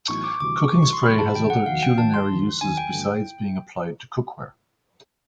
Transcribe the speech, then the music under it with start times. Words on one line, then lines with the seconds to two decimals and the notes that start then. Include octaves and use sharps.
Cooking spray has other culinary uses besides being applied to cookware.
0.08 A1 A2 F#3 B3 D#4 C#6
0.24 D6
0.40 D2 C3 E3 G3 D6
0.56 C#6
0.72 D2 C3 E3 G3 C#6
0.82 C#6
0.93 C6
1.03 D2 C3 E3 G3 B5
1.18 A5
1.35 D2 C3 E3 G3 G5
1.50 F#5
1.66 F1 D#2 D#3 F#3 F5
1.83 G5
1.98 F1 D#2 D#3 F#3 A5
2.14 C6
2.29 F1 D#2 D#3 F#3
2.61 F1 D#2 D#3 F#3 G#5
2.78 G5
2.93 G2 D3 F#3 A3